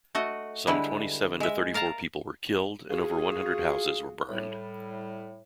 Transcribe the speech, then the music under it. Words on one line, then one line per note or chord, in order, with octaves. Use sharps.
Some twenty-seven to thirty-four people were killed and over one hundred houses were burned.
A3 F#4 D#5
D3 G3 G#3 E4 B4
G#3 E5
A#4 F5 A5 A#5
F4 F#4 G#4
A2 G3